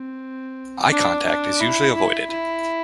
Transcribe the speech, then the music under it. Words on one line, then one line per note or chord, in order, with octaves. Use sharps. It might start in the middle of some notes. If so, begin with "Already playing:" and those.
Eye contact is usually avoided.
Already playing: C4
D4
D4
E4
E4
E4